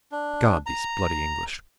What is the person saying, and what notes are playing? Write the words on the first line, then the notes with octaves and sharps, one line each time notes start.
God, these bloody English!
D4
A#5